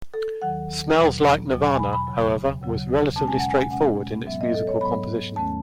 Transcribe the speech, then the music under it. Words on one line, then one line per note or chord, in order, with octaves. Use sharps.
"Smells Like Nirvana", however, was relatively straightforward in its musical composition.
A4
D#2 D#3 F#3 F#5
E2 B2 F#3
E2 B2 F#3
G#5
B5
B5
D#2 C#3 F#3
D#2 C#3 F#3
B2 G#3 C#4 A5
G#5
F#5
G#5
B2 G#3 C#4 F#5
G#2 F#3 B3 E5
D#5
A4
C#5
G#2 F#3 B3 B5
D#2 D#3 A3 C#4 A5